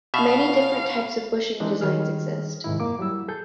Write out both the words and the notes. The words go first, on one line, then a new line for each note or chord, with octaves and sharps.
Many different types of bushing designs exist.
B2 E5 F5
E3 G#3 C4 D4 D#4
D#3 G3 G#4 F6
G#2 C3 D#3 E4
F#2 A#3 D6
F#3 G3 E4 E6
G#4 A4 G6